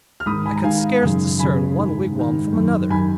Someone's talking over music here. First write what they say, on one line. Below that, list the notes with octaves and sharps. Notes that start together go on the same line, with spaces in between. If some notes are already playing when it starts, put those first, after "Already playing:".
I could scarce discern one wigwam from another.
F6
G#2 D#3 B5 D#6
G#5 B5
A#5
G#2 D#3 F5 G#5
F#2 C#3
F#2 C#3 G#5 B5
G#2 D#3
G#2 D#3
F#2 D#3
F#2 D#3 G#5 B5